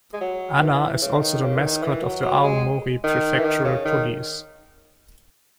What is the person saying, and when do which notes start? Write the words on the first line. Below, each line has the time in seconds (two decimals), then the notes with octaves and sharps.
Anna is also the mascot of the Aomori prefectural police.
0.14 G#3
0.21 F#3
0.61 E3
1.02 C#3
1.21 D#3
1.42 C#3
1.57 E3
1.63 D#3
1.83 E3
2.03 F#3
2.23 F#3
2.43 G#3
3.04 D#3
3.40 E3
3.45 D#3
3.65 C#3
3.85 D#3